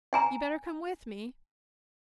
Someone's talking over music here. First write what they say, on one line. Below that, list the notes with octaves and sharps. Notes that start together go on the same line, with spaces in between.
You'd better come with me.
G5 G#5 A#5